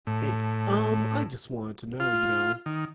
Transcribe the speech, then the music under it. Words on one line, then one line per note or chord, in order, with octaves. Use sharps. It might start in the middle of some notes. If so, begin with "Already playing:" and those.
Hey, um, I just wanted to know you know,
A2
F4
D#3